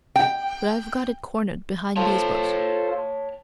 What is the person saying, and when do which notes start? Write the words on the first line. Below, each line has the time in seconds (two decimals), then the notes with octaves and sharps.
But I've got it cornered behind these books.
0.16 G5
1.97 F4 A4 C5 C#5 G5 A5